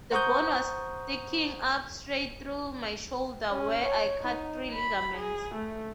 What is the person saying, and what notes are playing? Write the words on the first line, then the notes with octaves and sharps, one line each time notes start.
The bone was sticking up straight through my shoulder where I cut three ligaments.
C5 F#5 A#5 C#6 D#6 G6
C#4
C#5
D#4
B5
G#4
A3